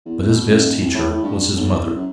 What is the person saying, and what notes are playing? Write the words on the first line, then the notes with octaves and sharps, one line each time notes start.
But his best teacher was his mother.
E2
B2
D#1
C2
A2
A2
G2
B1
E2
F#2